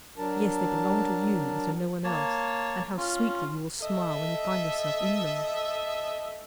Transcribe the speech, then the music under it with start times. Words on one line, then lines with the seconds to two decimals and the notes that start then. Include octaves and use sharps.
Yes, they belong to you as to no one else, and how sweetly you will smile when you find yourself in them!
0.17 F#3 D4 A#4 A5
2.04 A#3 C#5 A5
2.97 C#4 F4
3.81 A4 D#5 E5